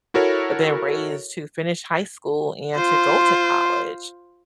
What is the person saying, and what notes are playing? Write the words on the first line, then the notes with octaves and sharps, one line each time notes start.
been raised to finish high school and to go to college,
E4 F#4 A4 A#4 C#5
F4 C5